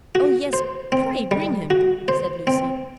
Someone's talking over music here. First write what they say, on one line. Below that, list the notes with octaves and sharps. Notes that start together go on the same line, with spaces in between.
"Oh yes, pray bring him," said Lucy.
F#4
C5
C4
G3
F#4
C5
C4